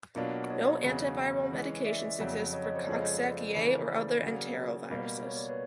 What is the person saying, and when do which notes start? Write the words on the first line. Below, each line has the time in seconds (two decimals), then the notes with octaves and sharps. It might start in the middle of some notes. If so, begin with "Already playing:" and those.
No Antiviral medications exist for Coxsackie A or other Enteroviruses.
0.16 B2 F#3 A#3 D4 F4
0.50 C#5 D#5
0.84 E2 C#3 F#3
1.52 E3 G#3 C#4
1.85 D5 E5
2.19 F2 C#3 F#3
2.53 C#5 D#5
2.64 C#5 D#5
2.75 C5 D5
2.87 F2 C#3 F3 G#3 B3 C#5 D#5
3.21 C5 D5
3.55 C#3 E3 A3
3.89 C5 D5
4.23 C#3 F#3 A#3
4.90 B2 G3 A#3
5.24 C#5
5.36 D5
5.49 B4 C#5